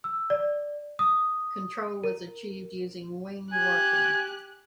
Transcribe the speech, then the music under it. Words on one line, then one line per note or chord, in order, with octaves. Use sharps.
Control was achieved using wing-warping.
E6
D5
D#6
A#4
G4 G#5 F#6